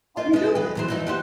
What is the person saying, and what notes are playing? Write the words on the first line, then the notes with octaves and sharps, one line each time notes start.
"Let me do it, you know?"
F4 D#5
G#3 E4 B4
E3 G#3 B4
E2 E3 F#3 C5
F#2 D#4 E4
F#4 G4 C5